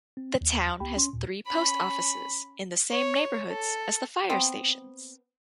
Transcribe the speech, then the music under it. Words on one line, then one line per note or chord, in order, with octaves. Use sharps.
The town has three post offices, in the same neighborhoods as the fire stations.
C4
D#2
C#2 G4 G5 B5
C#4 C6
D#2 A#2
C#4 B5
C#5
A4
B3 C4